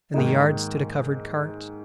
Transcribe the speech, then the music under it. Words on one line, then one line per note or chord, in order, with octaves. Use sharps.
In the yard stood a covered cart.
G#2 D#3 A#3 D#4